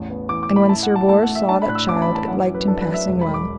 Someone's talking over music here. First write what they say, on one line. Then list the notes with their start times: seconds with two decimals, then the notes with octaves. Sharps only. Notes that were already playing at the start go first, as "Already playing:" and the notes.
And when Sir Bors saw that child it liked him passing well.
Already playing: A1 E2
0.10 B3
0.29 E3 D6
0.43 D6
0.50 A2
0.56 B5
0.69 E4 A5
0.83 F#5
0.89 E4
0.96 A5
1.09 A3 A5
1.22 F#5
1.29 A3
1.35 E5
1.49 D4 A5
1.62 B5
1.68 A2 F#6
1.75 E6
1.88 A1 D6
1.96 A5
2.02 B5
2.08 E3
2.15 A5
2.28 F#2 F#5
2.48 F#2
2.54 B4
2.67 D4 A4
2.81 B4
2.87 F#2
2.94 E5
3.07 E1
3.21 B5
3.27 E1
3.34 D6